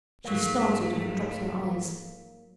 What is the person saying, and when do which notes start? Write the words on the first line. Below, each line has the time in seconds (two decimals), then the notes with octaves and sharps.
She started and dropped her eyes.
0.24 G#2 F#3 A3 A#3